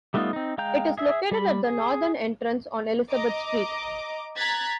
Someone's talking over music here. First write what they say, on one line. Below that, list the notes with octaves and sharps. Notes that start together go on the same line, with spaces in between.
It is located at the northern entrance on Elizabeth Street.
G3 A3 B3 D#4 F4
C4 D#4
G#3 F5 G5 A#5 G6
G#4 E5 E6
G3 B5
G#4
D#5 A#5 D6
A#5 F#6 G#6 A6 B6